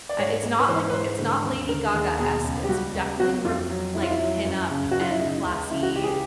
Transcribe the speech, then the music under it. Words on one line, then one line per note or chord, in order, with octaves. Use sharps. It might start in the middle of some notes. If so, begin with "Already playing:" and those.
uh, it's not, like It's not Lady Gaga-esque, it's m definitely more, like, pin-up and classy.
D5
G#2 C#5
G#2
B4
E3 C5
B4
G#2 C5
D3
D#2
D3 A#4
D#2 G#4
B2 G#4
C#2
G4
G3 F#4
C#2
F#3 F#4
F2 F4
F#3
F2 E4
F4
E4
F#3
F#2
C#3
F#2 F#4
F4
E4
C#3 D#4
C#2
C#3 E4
F#4
C#2 G4
G#4
G4